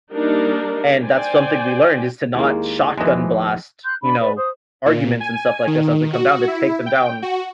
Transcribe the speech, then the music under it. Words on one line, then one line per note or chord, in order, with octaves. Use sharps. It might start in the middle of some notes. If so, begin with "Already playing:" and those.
And that's something we learned is to not shotgun blast, you know, arguments and stuff like this as they come down to take them down
G3 A#3 D4 D#4 A#4
C5 D5 G5 G#5
D#2 G#3 A#3 E4 G#4
D#2 E3 F3 G#3 D#5
C6 F#6 G6
D4 B5
B4 D5
C5 D#6
A#2
G#5
D#3
F#4
E4
G5
F#4